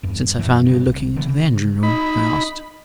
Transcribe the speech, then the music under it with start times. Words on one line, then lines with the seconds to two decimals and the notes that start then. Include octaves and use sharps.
"Since I found you looking into the engine-room?" I asked.
0.03 E2 G2
0.39 F#2 A#2 E3 F#3
0.65 G2 C#3
0.86 C2
1.16 D3 E3 F#3 B3
1.29 C#3
1.83 D#4 B5